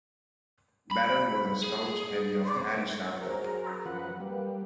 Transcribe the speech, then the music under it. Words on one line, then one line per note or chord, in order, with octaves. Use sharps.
Barron was a staunch ally of Al Sharpton.
B5
G#4
F#3 G#4 A#4 C5
F#2 F3 B4 F#5
G3 A#3 B4